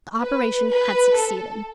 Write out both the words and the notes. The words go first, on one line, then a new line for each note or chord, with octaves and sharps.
The operation had succeeded.
B4
B4
A4